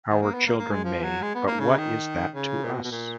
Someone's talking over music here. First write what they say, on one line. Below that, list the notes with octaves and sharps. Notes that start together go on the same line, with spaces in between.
Our children may, but what is that to us?
D#3
A#3
B3
A#3
A#3
G#3
F3
F#3
G#3
B3
A#3
C#3
D#3
C#3
A#2
B2
B2
A#2